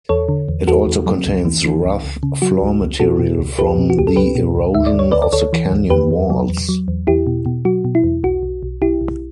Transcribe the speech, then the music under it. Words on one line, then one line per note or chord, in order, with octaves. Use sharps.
It also contains rough floor material from the erosion of the canyon walls.
E2 A4 C#5
D3
E2
E2 F#4 A4
E2
F#3
C#2
E3
E3
C#2
C#2
C#3
F#3 F#4
C#2
C#2
B2 F#4 A4
B2
C#2
C#2 G4 B4
B2
F#4
C#2 G4
A4
C#2 G4 B4
B2
C#2
D2 E5
D5
D2
C#5
D2 B4 D5
D5
D2 A4 C#5
E3
D2
E2 G4 B4
E2
F#3
E2
F#3
E2
E2 E4 G4
B2
B2
F#3 F#4
B2
E4
E2
B1 F#4
B1
B1
B1 E4 G4
B1